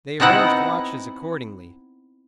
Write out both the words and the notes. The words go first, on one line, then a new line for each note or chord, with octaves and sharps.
They arranged watches accordingly.
B3 C4 D#4 E4 F#5